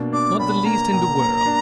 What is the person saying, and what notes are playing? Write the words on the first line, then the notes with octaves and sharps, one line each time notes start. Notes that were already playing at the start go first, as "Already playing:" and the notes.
"Not the least in the world."
Already playing: B2 A#3 D4
D4 D6
B1 B5
A#3 A#5
B1
A#3
D4